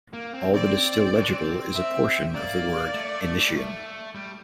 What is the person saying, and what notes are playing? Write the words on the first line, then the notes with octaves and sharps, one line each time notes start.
All that is still legible is a portion of the word "Initium".
A#3
C4
C4 D5
C4
D4
C4
E5
A#3 D5
A3
G3
A3
G3